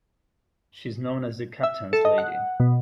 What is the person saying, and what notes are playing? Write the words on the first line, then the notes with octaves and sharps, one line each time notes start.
She is known as the Captain's Lady.
E5
A4
D#5
F#5
B2